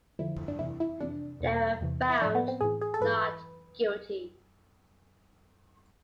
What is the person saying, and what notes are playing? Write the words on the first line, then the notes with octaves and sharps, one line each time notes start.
They were found not guilty.
F2 D3 F3 E4
D4
E2 C3 E3 E4
E4
F2 C3 E3 D4
E2 B2
E2 C3 E3
E4
A2 F3 D4
B3
C4
A2 E3 G#4
G#4
A4
G#2 E3 B4